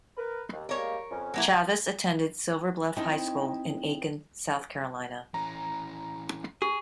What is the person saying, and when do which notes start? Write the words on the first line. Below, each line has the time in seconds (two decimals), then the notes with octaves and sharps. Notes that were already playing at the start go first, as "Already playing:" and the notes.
Chavous attended Silver Bluff High School in Aiken, South Carolina.
0.17 A#4 B4
0.52 D#2
0.69 G3 G#3 A#3 A#4 C#5
1.11 F2 C#4
1.34 F#3 A#3 E4
2.96 C4 D#4 E4 D#5 G5 A5
5.34 E3 C#4 A#5
6.62 G4 G#4